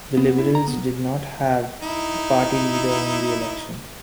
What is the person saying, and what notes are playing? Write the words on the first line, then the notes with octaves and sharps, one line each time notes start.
The Liberals did not have a party leader in the election.
B3
E4
A#5
B3
D#4 E4